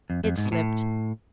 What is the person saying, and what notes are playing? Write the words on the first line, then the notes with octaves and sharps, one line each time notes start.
'It slipped.
F2
F2
G#2
B2
A2